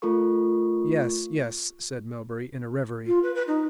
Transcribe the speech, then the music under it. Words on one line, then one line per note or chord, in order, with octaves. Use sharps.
"Yes, yes," said Melbury, in a reverie.
A3 F4 A4 A#4 C#6
F4
B4
B4
D#4